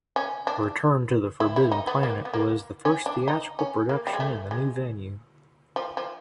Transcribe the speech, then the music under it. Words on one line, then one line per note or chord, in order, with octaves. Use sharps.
"Return to the Forbidden Planet" was the first theatrical production in the new venue.
C#4
D4
E4
E4
D#4
B3
A#3
B3
A#3
C#4
D4
D#4
C#4
A#3
G3
G#3
A3
G#3
F3
F3